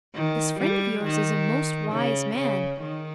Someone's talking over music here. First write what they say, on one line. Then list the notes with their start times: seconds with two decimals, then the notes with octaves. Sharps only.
This friend of yours is a most wise man.
0.15 D#3
0.60 G3
1.04 D#3
1.93 C#3
2.38 C#3
2.81 D#3